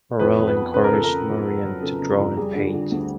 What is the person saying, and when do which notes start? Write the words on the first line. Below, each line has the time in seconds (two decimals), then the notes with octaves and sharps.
Marrel encouraged Merian to draw and paint.
0.20 F2 B4
0.39 F2
0.47 B4
0.56 B3
0.74 C#3 B4
0.84 A#4
0.93 F2 A4
1.04 A#4
1.11 C#3
1.29 F2
1.46 B3
1.65 F#3
1.83 C#3 A4
2.01 C#3
2.20 F2
2.37 G3 G#4
2.55 D3
2.73 D3
2.92 D2